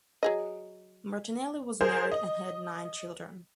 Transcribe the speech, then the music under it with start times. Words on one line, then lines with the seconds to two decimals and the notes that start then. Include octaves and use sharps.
Martinelli was married and had nine children.
0.23 F#3 G#4 D#5
1.81 G#4 A#4 C5
2.12 D#5